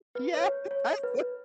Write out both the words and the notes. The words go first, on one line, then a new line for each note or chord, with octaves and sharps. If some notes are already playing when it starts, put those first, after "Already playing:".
Yes! I sw
B4
C#5
C#5
B4